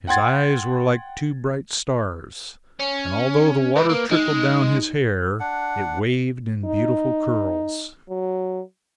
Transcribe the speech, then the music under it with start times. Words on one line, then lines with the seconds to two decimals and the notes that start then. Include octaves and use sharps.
His eyes were like two bright stars; and although the water trickled down his hair, it waved in beautiful curls.
0.07 F#5 G5 C6 G#6 A6
2.80 C#4
3.76 C#2 E4 B4
3.90 A#3
4.11 G#3 D#4
5.40 D4 F#5
6.65 D#4
8.09 F#3